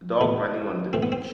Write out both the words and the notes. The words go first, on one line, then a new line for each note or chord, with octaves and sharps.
A dog running on the beach.
A2 E3 B3
A2 E3 C4
B3
C4